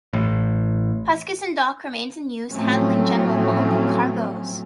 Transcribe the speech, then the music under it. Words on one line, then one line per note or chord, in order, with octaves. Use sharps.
Huskisson Dock remains in use, handling general bulk cargoes.
A1
A2 F3 F#3 A3 C4 C#4